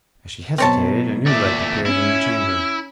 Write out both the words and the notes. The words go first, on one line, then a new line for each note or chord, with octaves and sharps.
As she hesitated a new light appeared in the chamber.
B2 F#3 C4 C#5 A5
E2 A#2 A3 D5 E5
C#4 E4